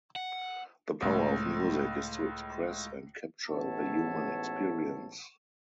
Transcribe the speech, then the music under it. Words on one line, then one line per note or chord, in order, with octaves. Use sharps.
The power of music is to express and capture the human experience.
F#5
C#2 A2
A1 G#2 B3 C#5 E5 A5